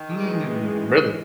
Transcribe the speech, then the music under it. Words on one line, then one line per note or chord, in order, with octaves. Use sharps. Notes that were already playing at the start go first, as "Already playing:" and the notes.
Mm, really?
Already playing: D#3
F#2 E3 G#3